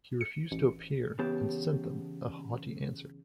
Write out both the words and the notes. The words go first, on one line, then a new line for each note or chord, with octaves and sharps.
He refused to appear, and sent them a haughty answer.
C#7
A1
C#3 E3 B3 G4 A5